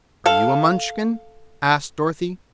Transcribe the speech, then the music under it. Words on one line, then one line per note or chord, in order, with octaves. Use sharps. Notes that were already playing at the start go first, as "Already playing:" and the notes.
"Are you a Munchkin?" asked Dorothy.
A4 F5